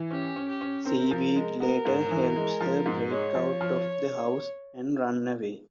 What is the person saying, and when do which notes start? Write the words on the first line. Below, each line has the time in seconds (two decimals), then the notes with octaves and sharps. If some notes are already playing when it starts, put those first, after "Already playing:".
Seaweed later helps her break out of the house and run away.
Already playing: E3
0.11 C#4 G4
0.36 C#4
0.48 G4
0.61 C#4
0.85 C4 A#4
1.11 F3
1.36 G#3
1.60 B3 A#4
1.85 G#2
2.11 E3
2.36 G#3
2.60 F3
2.86 G#2
3.10 G#3 C#5
3.35 F3
3.61 F3